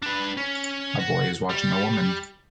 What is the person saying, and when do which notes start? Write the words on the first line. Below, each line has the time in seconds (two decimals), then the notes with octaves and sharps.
A boy is watching a woman.
0.02 D4 B4
0.37 C#4
0.99 F#4
1.49 G3